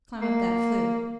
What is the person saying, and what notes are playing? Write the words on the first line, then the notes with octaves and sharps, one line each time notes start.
"Climb up that flue."
A#3